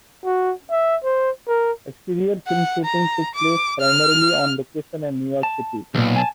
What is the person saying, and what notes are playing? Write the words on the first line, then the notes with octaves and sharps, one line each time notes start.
Exterior film shooting took place primarily on location in New York City.
F#4
E5
C5
A#4
F#5
A#5
D6
F6
A5
B1 A#2 C#3
G#5 A5